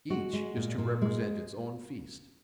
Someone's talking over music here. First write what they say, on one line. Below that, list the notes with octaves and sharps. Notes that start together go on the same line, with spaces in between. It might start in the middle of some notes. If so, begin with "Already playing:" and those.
Each is to represent its own feast.
G#3 F#4
G#3
A#2
A#2
G#3